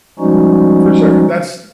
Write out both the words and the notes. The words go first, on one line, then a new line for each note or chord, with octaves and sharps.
For sure, that's
F3 G3 G#3 C#4 D#4 F#4